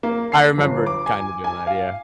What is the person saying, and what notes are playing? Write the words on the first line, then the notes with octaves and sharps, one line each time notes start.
I remembered kinda doing that, yeah.
A#3
C7
G1
D6
G#5
G#5
F5